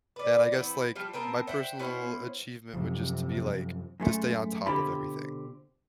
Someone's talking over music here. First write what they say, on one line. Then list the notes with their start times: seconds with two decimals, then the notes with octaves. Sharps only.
And I guess, like, my personal achievement would just to be, like, to stay on top of everything,
0.16 B4 D5
0.52 E3 B3 C4
0.96 F3 G3 F4
1.13 B3 C4 A#4 A5
1.47 C5 E5 F#5 G5
1.79 B3 C#4 E4 C5
2.74 F#2 C3 F3
4.00 F#2 G#3 A3
4.66 B2 D3 C4 F4 G4 B5